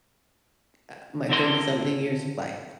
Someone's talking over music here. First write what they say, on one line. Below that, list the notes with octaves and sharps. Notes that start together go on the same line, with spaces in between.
uh, my thirty-something years of life.
D3 C4 E4 A#4 D5 C6